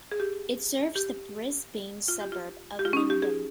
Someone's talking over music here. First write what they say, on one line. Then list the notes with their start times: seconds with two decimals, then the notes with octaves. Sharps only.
It serves the Brisbane suburb of Lindum.
0.12 G#4
0.20 G4
0.95 G4
2.08 F4
2.21 G4
2.32 F4
2.79 G4
2.85 F4
2.93 C#4
2.97 D#4
3.10 G4
3.22 G#4